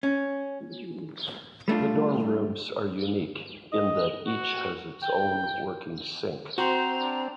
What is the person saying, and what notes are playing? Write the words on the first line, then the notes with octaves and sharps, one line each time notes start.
The dorm rooms are unique in that each has its own working sink.
C#4
G3 A3 D4 F4
D#5
F#4
G5
C4 F#4 C5 A#5
D4